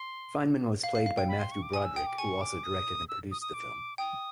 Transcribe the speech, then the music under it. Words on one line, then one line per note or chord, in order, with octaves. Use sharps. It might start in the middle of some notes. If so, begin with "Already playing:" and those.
Feynman was played by Matthew Broderick, who also directed and produced the film.
Already playing: C6
F5
F5
F5
G5
B5
C6
C#6
D6
G#5 D#6
E6
G5 D#6
D6
G#5 C#6
D6
D#6
E6
D#6
D#6
D6
G5 D#6